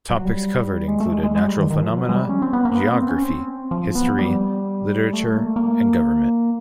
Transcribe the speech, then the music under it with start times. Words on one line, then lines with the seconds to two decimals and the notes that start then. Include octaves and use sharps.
Topics covered included natural phenomena, geography, history, literature and government.
0.10 F#3
0.25 G3
0.88 G#3
1.00 A3
1.12 G#3
1.23 G#3
1.35 G#3
1.47 G3
1.58 D#3
1.70 D#3
1.83 F3
1.98 F#3
2.09 G#3
2.14 G3
2.29 C#4
2.42 C4
2.53 B3
2.65 A#3
2.77 B3
2.93 C4
3.08 C#4
3.24 C4
3.71 F3
3.95 B3
4.19 G3
5.13 A3
5.37 A#3
5.46 A3
5.56 A#3